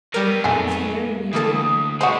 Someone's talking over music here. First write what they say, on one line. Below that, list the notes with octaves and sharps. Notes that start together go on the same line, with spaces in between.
He was very near him.
F#3 G3 B3 A#4
F2 A#2 D#3 A3 G#4
D2 E3 A#3 A4 D#6
B2 G3 G#3 F#4 C5